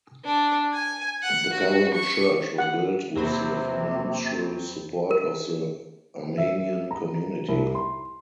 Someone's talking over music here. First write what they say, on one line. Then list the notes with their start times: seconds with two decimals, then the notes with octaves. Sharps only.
The current church was built with the financial support of the Armenian community.
0.24 D4
0.73 G#5
1.22 F#5
1.53 F#4
1.94 C#6
2.58 F#5
3.16 E2 C3 F#3 A#3 C4 C5 B5
5.11 A#4
6.38 E5
6.91 A#5
7.49 C2
7.75 C6